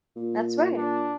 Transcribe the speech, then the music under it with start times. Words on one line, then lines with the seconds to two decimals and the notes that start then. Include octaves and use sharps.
That's right.
0.16 A#2
0.77 D4